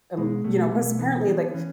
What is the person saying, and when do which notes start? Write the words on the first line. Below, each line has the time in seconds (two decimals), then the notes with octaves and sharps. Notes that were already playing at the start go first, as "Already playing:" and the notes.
um you know, 'cause apparently, like,
0.18 B2 G#3
0.44 B2 A3
0.58 A3
0.72 B2 A3
0.86 A3
0.99 E3 B3
1.27 E3
1.54 E3 C#4